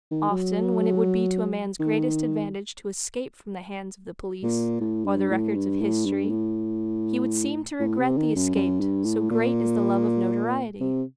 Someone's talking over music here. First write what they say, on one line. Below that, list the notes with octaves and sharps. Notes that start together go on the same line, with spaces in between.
Often when it would be to a man's greatest advantage to escape from the hands of the police or the records of history, he would seem to regret the escape so great is the love of notoriety.
D#3
F#3
D#3
A#2
A2
G2
A2
G2
A2
G2
A2
A2
C3
D#3
F#2
F#2
G2
A2
A#2
C3